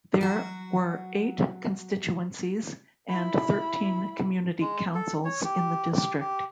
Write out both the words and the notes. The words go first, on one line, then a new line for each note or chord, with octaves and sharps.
There were eight constituencies and thirteen community councils in the district.
F#3 F#4
E4 B5
G#3
A4
C#5
G4
G4
G4